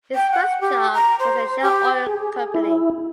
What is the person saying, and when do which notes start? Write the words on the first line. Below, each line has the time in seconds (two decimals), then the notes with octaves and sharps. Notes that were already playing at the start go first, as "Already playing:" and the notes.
His first job was at Shell Oil Company.
0.15 G5
0.32 F#5
0.61 G4
0.94 A#5
1.19 C5
1.62 G4
2.07 G#4
2.55 E4